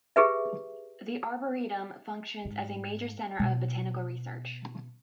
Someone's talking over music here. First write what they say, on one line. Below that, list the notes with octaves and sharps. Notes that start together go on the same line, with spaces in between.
The arboretum functions as a major center of botanical research.
G4 G#4 B4 E5
G#2
B2